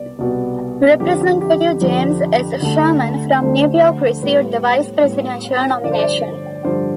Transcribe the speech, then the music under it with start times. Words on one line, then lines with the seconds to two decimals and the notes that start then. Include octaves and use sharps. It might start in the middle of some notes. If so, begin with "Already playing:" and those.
Representative James S. Sherman from New York received the vice-presidential nomination.
Already playing: C2 B2 G3 B3 D5
0.19 C2 B2 G3 B3
1.00 F2 D3 F3 G4
1.41 G4
1.81 F2 D3 F3
2.61 D2 D3 A3
3.42 D2 D3 A3 C5
4.22 A2 G3 B3 B4
5.02 A2 G3 B3
5.84 G2 D3 F3 D5
5.91 C5
5.99 D5
6.64 G2 D3 F3 C5